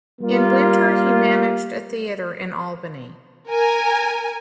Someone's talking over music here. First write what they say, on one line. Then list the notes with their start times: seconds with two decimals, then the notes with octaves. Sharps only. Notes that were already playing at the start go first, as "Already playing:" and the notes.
In winter, he managed a theatre in Albany.
0.22 G3 A#3 F4
3.51 A#4 G#5